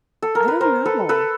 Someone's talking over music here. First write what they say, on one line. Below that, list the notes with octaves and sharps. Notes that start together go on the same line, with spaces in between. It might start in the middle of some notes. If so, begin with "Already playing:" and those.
I don't know.
A4
A#4
B4
A#4 C5
A4 B4
A4 B4